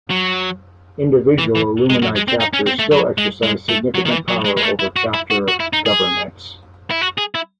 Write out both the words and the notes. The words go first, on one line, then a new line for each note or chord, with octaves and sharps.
Individual alumni chapters still exercise significant power over chapter governance.
F#3
E3
E3
G#3
F#3
G#3
C4
D#4
C#4
C4
A3
F#3
G#3
G#3
A3
F#3
D#3
E3
F#3
G#3
G#3
A3
E4
F#4
E4
F#4
F#4
E4
D#4
G#4
E4
F#4
G#4
E4